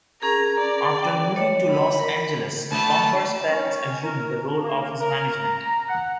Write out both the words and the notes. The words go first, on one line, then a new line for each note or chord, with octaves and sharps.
After moving to Los Angeles, Bumper's parents assumed the role of his management.
C#4 G#4 A#4 A#5
D5
G5
C#5 D#5
B5
A#4
D2 A3 A5 B5
C#4
A#4
A#3
A#4
A#5
F#5